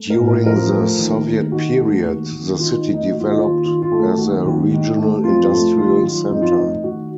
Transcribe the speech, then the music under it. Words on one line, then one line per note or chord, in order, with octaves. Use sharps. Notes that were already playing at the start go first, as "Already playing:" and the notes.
During the Soviet period, the city developed as a regional industrial center.
Already playing: A3
A#4
A2
A#4
F3 A#4
A3
D#2
D#2
D#3 F#4
A3
D#2
D#2
D#3 F4
F4
D#4
A3
D#4
D#2 F#4
F4
D#4
D#2 F4
D#3 F4
F4
A3
A4
D#2 F#4
D#2
D#3
A3
F2 F4
A3 F4
D#3 F4
F#3 F4
F2 D#4
F4
D#4
A3
D#3 F#4